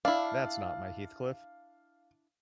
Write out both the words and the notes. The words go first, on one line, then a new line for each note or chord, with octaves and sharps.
That is not my Heathcliff.
D4 E4 F5